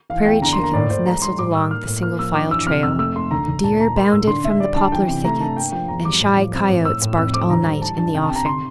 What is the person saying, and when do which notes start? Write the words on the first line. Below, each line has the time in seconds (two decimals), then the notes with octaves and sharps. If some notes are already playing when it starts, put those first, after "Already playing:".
Prairie chickens nestled along the single-file trail. Deer bounded from the poplar thickets and shy coyotes barked all night in the offing.
0.10 E3 F5
0.25 E2 G5
0.41 D3 A#5
0.53 C6
0.58 A#3
0.64 A#5
0.73 A2 D5
0.90 A2 C5
1.06 G3 A#5
1.22 G3 C6
1.39 A2 D6
1.54 A2 E6
1.70 A#3 F6
1.87 A2
2.02 A#3 F6
2.19 F3 E6
2.35 G2 D6
2.50 E3 E6
2.67 C3 F6
2.83 F2 E6
2.99 A3 E6
3.16 A3 C6
3.31 D2 A#5
3.48 D2
3.63 A#2 A5
3.80 A#2 A#5
3.95 A#3 C6
4.12 A2 E6
4.27 D3 C6
4.44 D3 E5
4.60 G3 D5
4.76 D3 A5
4.92 E3 G5
5.08 C3
5.25 A3 A#5
5.41 G2 A5
5.56 A#3 G5
5.72 F3 G5
5.88 E2 A#5
6.05 G3 D6
6.20 A2
6.37 F3
6.54 C4
6.69 A2
6.85 A2 E6
7.02 A2
7.17 F2 E6
7.34 C4 D6
7.50 D2 A#5
7.66 G3
7.82 E3 A5
7.98 G2 A5
8.14 C3 G5
8.25 A5
8.30 C3
8.35 A#5
8.46 C6